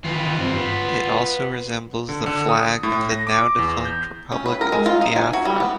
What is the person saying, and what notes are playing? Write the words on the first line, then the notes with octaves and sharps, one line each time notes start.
It also resembles the flag of the now-defunct Republic of Biafra.
D#3 E3 F4 B4
G2 C4
B3
D3
D3
D#6
A2
A#6
D6
E2
G6
C#4
B4
A#4
G#3
F4
D#4
G#5
F#4
G3
B3